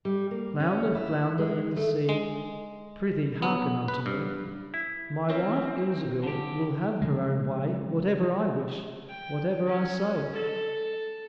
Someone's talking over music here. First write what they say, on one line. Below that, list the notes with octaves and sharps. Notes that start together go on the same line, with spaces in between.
"Flounder, flounder in the sea, Prythee, hearken unto me: My wife, Ilsebil, will have her own way Whatever I wish, whatever I say."
G3
A#3
C#4
E4
G#3
A3
G#3
B3
B4
G2
E4
E3 C4 C#4
D3 G4
C#3 F3 G#3
G5
C#4
A4